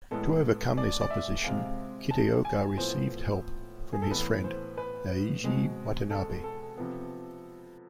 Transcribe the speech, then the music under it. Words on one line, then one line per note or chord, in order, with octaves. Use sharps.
To overcome this opposition, Kitaoka received help from his friend, Yaeji Watanabe.
A2 G#3 B3 A4
D5
D5
E5
C3 G#3 C4 F5
A5
G#5
A2 F3 B3 C5
G#4
A4
A2 E3 B3 B4
C5
B4
B2 G#3 C4
A4
A4
C3 F3 B3